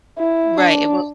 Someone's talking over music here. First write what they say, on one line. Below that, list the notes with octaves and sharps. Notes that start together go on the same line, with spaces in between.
Right, it will
E4
D4